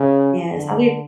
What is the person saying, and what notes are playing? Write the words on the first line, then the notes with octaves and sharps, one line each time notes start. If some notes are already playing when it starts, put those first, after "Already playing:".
Yes, I'll be
Already playing: C#3
D3